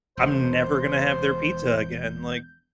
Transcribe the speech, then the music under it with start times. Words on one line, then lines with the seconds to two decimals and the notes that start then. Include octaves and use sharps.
I'm never gonna have their pizza again." Like
0.17 E1 C5 G6